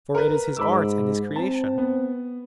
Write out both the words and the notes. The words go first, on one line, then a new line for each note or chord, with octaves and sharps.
For it is his art and his creation.
A#4 B4
G#2 B5 D6 E6
C4 A5
B3